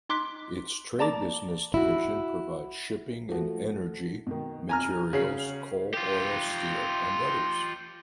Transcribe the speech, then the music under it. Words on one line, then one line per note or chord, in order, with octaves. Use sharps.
Its trade business division provides shipping and energy materials, coal, oil, steel and others.
D#4 C6 D6 F#6 B6
A#3 D5 A5 A#5 D6 A6
E4 F#4
F3 A3 F#4
B2 D#3
F2 G#5 A#5 F6
C#3 F#4 C#5 C7
F4 G4